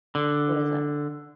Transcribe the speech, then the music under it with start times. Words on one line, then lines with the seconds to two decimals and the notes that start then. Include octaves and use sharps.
What is it?
0.15 D3